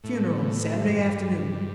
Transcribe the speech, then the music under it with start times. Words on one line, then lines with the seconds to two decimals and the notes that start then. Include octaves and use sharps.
Funeral Saturday afternoon.
0.04 A2
0.86 G2